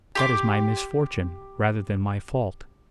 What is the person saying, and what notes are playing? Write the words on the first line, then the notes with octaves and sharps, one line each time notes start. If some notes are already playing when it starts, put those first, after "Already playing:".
"That is my misfortune, rather than my fault."
G4 C6 D6